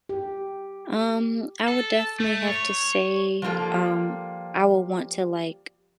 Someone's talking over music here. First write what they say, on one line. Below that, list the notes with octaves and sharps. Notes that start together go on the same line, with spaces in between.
Um, I would definitely have to say, um, I will want to, like,
G4
A4
A3
C#5
F3 G3 A#3 F4 G4 A4